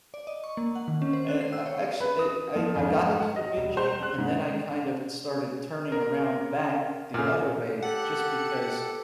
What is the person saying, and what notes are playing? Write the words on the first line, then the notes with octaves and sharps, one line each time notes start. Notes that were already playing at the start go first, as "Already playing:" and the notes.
And I I actually, it I I got into the binging, and then I kind of started turning around back the other way just because
D5
D#5
C#6
A#3
F#5
D#3
C#4
C5
F#6
C7
E6
C#5
B4
D#6
F3
F2
G#2
F#5
D#5
E1
C5
F#6
G#2
A#4
A#2 C#3 A4 G#5 F6
G4 A4 F#5